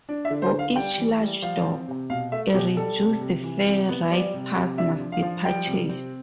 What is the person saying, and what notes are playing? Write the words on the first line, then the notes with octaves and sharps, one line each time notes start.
For each "large dog", a reduced fare ride-pass must be purchased.
D4
E5
D3
C5
D3
F5
G3 G5
E3
G3
F3 F5
C4
C3
B2 F5
A3 E5
B2 G4
G3 A4
C3
C3
E3
C3
B3
G3 D5
C3
C3
D4 E5
F3
F5
F3
G3 G5
C3
C4